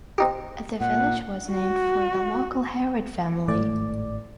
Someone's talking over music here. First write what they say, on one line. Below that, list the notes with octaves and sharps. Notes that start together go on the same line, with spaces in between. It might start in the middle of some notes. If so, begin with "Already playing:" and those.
The village was named for the local Harrod family.
C4 D#4 G4
A#2 F#5
F#4
G#1 A2 D5